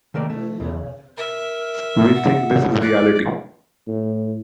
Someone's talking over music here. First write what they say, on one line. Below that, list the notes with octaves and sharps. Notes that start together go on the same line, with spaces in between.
We think this is reality.
D#3 A3 A#3 D5
A3
B1 E2
A#4 E5
F#5
D5 F#6
A2